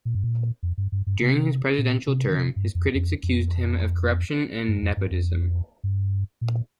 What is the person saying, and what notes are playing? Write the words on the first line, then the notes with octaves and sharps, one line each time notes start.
During his presidential term, his critics accused him of corruption and nepotism.
A#2
G2
A#2
F2
G2
G2
G2
C3
A#2
C3
D#3
C3
G2
F2
F2
F2
G2
F2
G2
F2
G2
A#2